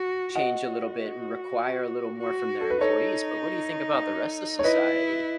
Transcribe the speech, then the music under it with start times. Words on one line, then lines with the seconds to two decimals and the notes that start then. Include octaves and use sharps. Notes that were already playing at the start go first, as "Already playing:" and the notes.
change a little bit, and require a little more from their employees, but what do you think about the rest of society?
Already playing: F#4
0.35 F#4 D#5 F#5
2.19 F#4
2.61 A4
2.70 B4
2.80 D#4 A4 C#5
4.59 C#5
4.64 E4 B4 D#5